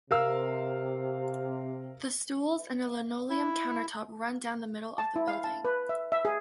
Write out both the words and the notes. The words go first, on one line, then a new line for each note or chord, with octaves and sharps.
The stools and a linoleum countertop run down the middle of the building.
C3 A#4 F5 E6
E4
A5
E4
F5
A5
B4
E5
E5
G#4